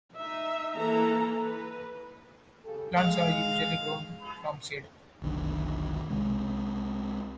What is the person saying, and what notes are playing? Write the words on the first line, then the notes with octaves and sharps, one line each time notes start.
Plants are usually grown from seed.
D#4 E5
E3 A#3 A4 A#5
B4
C#3 G4 A4
G#3 F5
F1 B1 D3 D#3
C2 C3 G#3